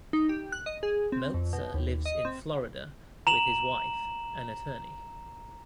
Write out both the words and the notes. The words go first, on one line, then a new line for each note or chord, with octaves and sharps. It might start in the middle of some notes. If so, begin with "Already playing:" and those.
Meltzer lives in Florida with his wife, an attorney.
D#4
G4
F#6
D#5
G#4
C4
F2
B2
D#2
D#5
C4
A#5 E7 F#7